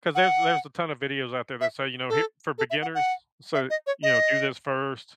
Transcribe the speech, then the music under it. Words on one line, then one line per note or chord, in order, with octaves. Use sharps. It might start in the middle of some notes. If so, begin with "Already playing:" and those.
'Cause there's there's a ton of videos out there that say, you know, "Here" for beginners, so, you know, "Do this first."
F#5
E5
A4
A4
E5
F#5
F#5
E5
D#5
C#5
D#5